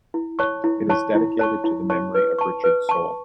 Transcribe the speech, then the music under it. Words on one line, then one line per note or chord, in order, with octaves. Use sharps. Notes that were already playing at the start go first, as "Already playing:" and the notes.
It is dedicated to the memory of Richard Sohl.
E4
C#5 A5 C#6
E4
C#5 A5 C#6
E4
C#5 A5 C#6
E4
C#5 A5 C#6
B4
A5 C#6
B4
A5 C#6